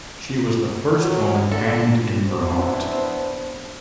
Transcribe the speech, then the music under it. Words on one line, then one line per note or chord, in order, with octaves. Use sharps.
She was the first woman hanged in Vermont.
F#3
D3 A4
B3 D4 E4 C5